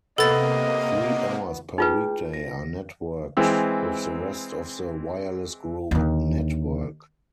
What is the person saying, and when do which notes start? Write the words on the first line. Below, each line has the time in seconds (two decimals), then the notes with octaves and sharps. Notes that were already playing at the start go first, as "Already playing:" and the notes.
Three hours per weekday are networked with the rest of the Wireless Group Network.
0.18 C3 A#3 B3 A4 D#5 A6
1.78 D#4 F4 G#4 B4 G5
2.33 A#6
3.37 E3 G#3 C4 E6
5.91 D#2 D3